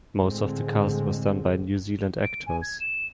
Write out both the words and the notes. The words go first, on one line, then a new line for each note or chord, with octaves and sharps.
Most of the cast was done by New Zealand actors.
A2 D3 G#3 C4
D7
G#5
G#6
E7